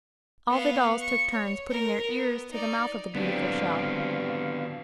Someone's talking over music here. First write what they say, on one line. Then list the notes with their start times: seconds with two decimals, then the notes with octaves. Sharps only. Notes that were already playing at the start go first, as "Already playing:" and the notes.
All the dolls took turns putting their ears to the mouth of the beautiful shell.
0.49 B3 F5
1.00 C#6
1.33 C#5
1.71 A#4
2.07 B3
2.52 D#4 D5
3.15 D3 F#3 B3 C4 D4 G4 F5